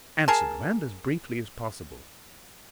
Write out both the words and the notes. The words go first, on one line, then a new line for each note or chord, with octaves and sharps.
Answer them, and as briefly as possible.
G#4 A#4 A5